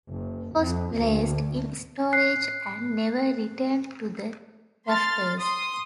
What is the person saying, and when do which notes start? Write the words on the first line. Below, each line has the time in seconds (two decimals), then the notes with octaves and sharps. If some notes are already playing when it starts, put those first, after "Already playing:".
It was placed in storage and never returned to the rafters.
0.10 F#1
0.57 F2
0.98 D2
2.13 F#6 C7
4.87 C6 F6 A6
5.40 C6 D#6